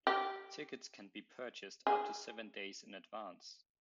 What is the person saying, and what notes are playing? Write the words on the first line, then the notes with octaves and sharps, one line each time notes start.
Tickets can be purchased up to seven days in advance.
G4
G#4